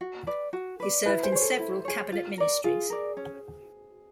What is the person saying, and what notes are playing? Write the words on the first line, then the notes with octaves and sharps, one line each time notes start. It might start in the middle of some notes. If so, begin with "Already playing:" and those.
He served in several cabinet ministries.
F#4
B4 D5
F#4
B4 D5
E4 B4
C5
G#4 C#5
A4
E4
G#4 C#5
F4
A#4 D5
F4 G#4
A#4 D5
C#4